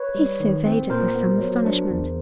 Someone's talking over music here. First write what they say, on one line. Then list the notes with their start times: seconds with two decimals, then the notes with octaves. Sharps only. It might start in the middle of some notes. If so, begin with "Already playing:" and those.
He surveyed it with some astonishment.
Already playing: B4 C#5
0.15 G3
0.40 D#3
0.65 C4
0.90 A#2 A#4 C5
1.15 B3
1.40 F#3
1.65 D4
1.91 E2